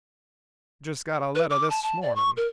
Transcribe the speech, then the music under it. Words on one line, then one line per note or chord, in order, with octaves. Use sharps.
'Just got a letter this morning.'
B4
D6
A5
A5
D5
C#6
A#4